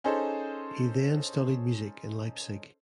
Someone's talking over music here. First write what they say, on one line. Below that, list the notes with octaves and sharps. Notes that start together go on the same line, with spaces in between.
He then studied music in Leipzig.
C#4 D#4 G#4 A4 C5